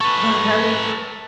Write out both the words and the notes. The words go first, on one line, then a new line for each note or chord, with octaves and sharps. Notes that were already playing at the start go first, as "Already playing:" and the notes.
For that long
A4 B4 C#6